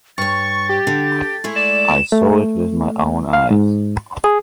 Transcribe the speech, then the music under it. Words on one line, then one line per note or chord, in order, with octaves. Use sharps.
I saw it with my own eyes.
G2 C#5 C#6 A6
G4
D3
G#3 A3 E4
D5 E7
A3
F5
G#2
G#4